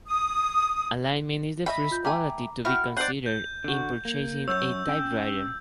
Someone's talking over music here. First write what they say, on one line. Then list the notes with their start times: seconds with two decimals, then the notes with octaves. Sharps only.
Alignment is the first quality to be considered in purchasing a typewriter.
0.07 D#6
1.66 D#5 E5 G5 B5
1.91 F4 G6
2.05 A3 G5 G#5 A#5 D6
2.65 E4 F#4 G5 B5 F6
2.97 C4 D#4 C5 D5 F#5 G6 C7 F#7
3.26 G6
3.64 D3 F#4
4.05 A#3
4.48 F#2 C#5 E6 G6
4.88 C#4 G5